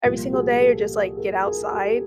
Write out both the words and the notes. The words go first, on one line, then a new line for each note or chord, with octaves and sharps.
every single day or just, like, get outside
C2 A#2 F3 A#3 F4 G4
F#4 G#4
G4 A4
G#4 A#4
G#4 A#4
G4 A4